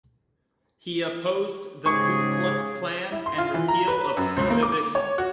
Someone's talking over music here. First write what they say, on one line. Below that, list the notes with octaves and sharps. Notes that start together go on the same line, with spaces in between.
He opposed the Ku Klux Klan and repeal of Prohibition.
G#2 C#3 G4 G#4 C#6
E4
C6
F4
E3
A#5
B4
F#2
C#2
A#3
D6
C#5
F#4